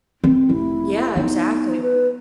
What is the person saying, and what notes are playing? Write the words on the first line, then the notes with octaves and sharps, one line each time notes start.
Yeah, exactly.
C4
F1 E4
B3 D#4
B4